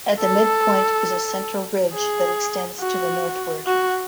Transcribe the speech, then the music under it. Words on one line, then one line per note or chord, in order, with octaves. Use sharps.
At the midpoint is a central ridge that extends to the northward.
A4
G#4
F#4
F#4